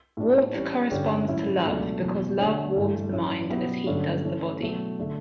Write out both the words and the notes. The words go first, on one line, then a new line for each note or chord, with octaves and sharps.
Warmth corresponds to love because love warms the mind as heat does the body.
A2 G3 D4
E3 G3 C#4
G2 D3 G3 C#4 G4
A2 F#3 C#4 E4
C#2 B2 F#3 A3 D4
E2 B2 F#3
D3 A3 D4 F#4 C#5
G2 E3 A3
A2 F#3 C#4 E4
B2 F#3 B3 E4 G4
G2 D3 F#3 A3 C#4
E3 A3 C#4
B2 F#3 A3
D3 A3